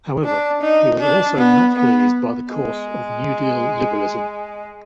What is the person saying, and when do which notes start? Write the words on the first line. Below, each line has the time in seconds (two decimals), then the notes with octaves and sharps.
However, he was also not pleased by the course of New Deal liberalism.
0.25 D4
0.62 D#4
0.99 D4
1.37 B3
1.75 B3
2.52 G#3